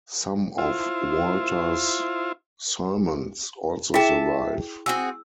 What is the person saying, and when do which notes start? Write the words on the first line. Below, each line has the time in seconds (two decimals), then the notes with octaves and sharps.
Some of Walter's sermons also survive.
0.58 E4 F4 C5
3.94 E4 G#4 E5 G5 A5
4.86 C4 F#4 G#4 E6